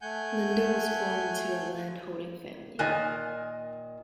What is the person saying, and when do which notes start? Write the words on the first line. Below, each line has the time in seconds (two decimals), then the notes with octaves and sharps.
Lindo was born into a landholding family.
0.02 A3 F#5 G#5 G6
2.79 A#2 D#3 D#5 G#5 F#6